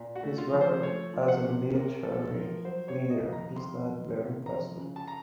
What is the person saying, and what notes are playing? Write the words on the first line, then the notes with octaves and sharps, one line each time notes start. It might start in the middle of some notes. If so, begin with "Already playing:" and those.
His record as a military leader is not very impressive.
Already playing: A#2
F#4
A3
F4
F3
C5
A3 C#5
F3
F#5
C3
C3 A#4
A3 A4
F3 A#4
F#3 C5
C#5
C3
D#5
F2
A#5
F2 C6
F#3
C3
F3 A#5
C#3
A5
A#5